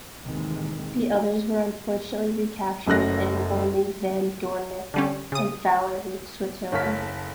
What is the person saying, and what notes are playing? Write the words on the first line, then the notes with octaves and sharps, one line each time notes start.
The others were unfortunately recaptured and only van Doorninck and Fowler reached Switzerland.
A1 D#2 C3 D#3 E3 G#3
F#1 F#2 A3 F#6 A#6
D3 G3 C#4
C#3 D#6
F#1 A4 C#5 F5 B6